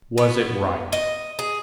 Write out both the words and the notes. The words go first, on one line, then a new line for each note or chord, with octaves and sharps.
Was it right?
B3
D#5
G#4